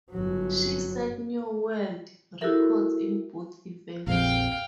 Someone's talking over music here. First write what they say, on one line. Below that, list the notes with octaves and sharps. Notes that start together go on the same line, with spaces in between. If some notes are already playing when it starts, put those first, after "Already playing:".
She set new world records in both events.
G1 F#3
E4 F#4 G4 A4 A#4 E5
A#1 F2 F5 G5